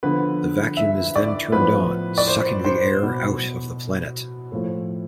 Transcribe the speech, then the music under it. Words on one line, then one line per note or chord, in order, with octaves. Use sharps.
The vacuum is then turned on, sucking the air out of the planet.
D3 F3 B3 B4
E5
D5
A2 F3 B3 B4
D5
C5
C5
B2 B3
A2 F3 A3